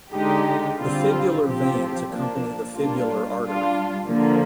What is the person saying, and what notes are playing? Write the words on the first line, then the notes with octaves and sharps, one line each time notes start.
The fibular veins accompany the fibular artery.
D3 G#3 D#4 G4
D3 G3 C4 F4
F3 C4 G4
F3 A#3 D4
G3 A#3 D4 F4
G3 D4 F4
D3 F3 A#3